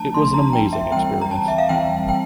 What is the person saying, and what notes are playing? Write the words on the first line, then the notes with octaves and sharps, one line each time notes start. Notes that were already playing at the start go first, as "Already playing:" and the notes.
It was an amazing experience.
Already playing: F3 A3 D4 A5 A#5
F3 A3 D4 C6
C6
A#5
G5
E5
E3 G3 C4 G5
A#5
A5
E5
F5
E3 G3 C4 G5
G5